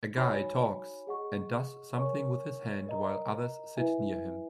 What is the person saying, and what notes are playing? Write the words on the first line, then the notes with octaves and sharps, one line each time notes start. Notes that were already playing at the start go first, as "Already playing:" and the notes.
A guy talks and does something with his hand while others sit near him.
D#4 F#4 C#5 G#5 B5
G#4 D#5 F#5 C#6
A#4 C#5 G#5 C#6
A#4 D#5 A#5
E4 B4 E5 G#5